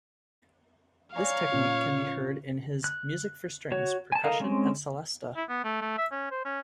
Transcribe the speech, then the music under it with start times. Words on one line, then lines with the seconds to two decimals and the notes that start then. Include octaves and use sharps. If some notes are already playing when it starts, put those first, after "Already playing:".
This technique can be heard in his "Music for Strings, Percussion and Celesta".
1.16 C#5 D5 F5 G#5 A#5
1.52 A#2 C#4 F4
2.84 F#6
3.72 F#4 C#5
4.12 G#5 A5
4.24 D#4 A4 A#4 F5
4.40 G#3 C4 C#4
5.36 E4
5.49 B3
5.64 A3
5.81 A3
5.98 E5
6.11 C#4
6.31 C5
6.45 C#4